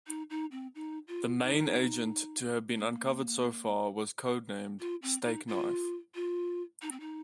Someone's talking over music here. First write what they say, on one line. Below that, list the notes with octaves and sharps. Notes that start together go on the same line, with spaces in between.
The main agent to have been uncovered so far was codenamed "Stakeknife".
D#4
D#4
C4
D#4
F4
D#4
A#3
F4
C4
D#4
F4
F4
D#4
C4
D#4